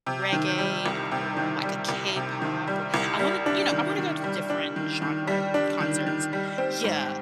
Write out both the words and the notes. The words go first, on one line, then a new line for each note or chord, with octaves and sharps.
reggae or, like, a K-pop or I wanna you know, I wanna go to different genre concerts Yeah.
C3
D#3
G3
C2
C3
D#3
G3
C2
C3
D#3
G3
C2
G3
D4
D#3
D#3
G3
D4
D#3
D#3
G3
D4
D#3
D#3
G3
C4
G#2